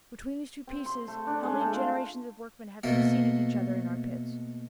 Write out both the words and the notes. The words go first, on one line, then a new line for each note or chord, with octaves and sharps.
Between these two pieces, how many generations of workmen have succeeded each other in our pits!
C4
C6
A3
D4
G#3
A3
F4
B2 A3 A#3